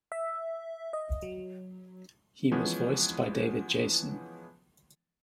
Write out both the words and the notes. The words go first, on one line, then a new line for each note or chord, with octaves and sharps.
He was voiced by David Jason.
E5
D#5
F#3
E3 F3 G#3 B3 C#4